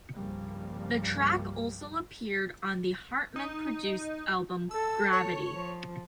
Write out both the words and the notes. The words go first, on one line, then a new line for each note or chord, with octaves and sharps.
The track also appeared on the Hartman produced album "Gravity".
C2 G2 C#3 F3 G3 A#3
D#4
A4 E6
C#5
F3